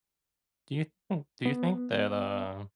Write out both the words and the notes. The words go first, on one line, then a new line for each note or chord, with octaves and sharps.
Do you think do you think that, uh,
B3